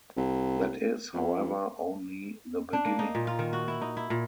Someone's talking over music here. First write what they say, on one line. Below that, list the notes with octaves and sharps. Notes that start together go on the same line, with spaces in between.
That is, however, only the beginning.
C2
F2
D4
A#3
D#4
A#2
F4
D#3
F#4
E4
D#4
E4
A#2